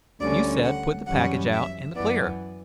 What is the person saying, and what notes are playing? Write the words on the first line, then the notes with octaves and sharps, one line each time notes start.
You said, put the package out in the clear.
D2 D3 G3 C#4 D5
F#5
F#2 E3 G3 C#4 F#5
E5
F#2 E3 B3 D5